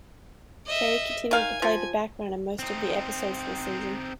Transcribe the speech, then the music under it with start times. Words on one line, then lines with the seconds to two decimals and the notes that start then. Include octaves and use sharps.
Kerry continued to play the background in most of the episodes this season.
0.66 D#5 E5
1.31 D#3 F5 G#5
1.62 F3
2.59 C4 D#4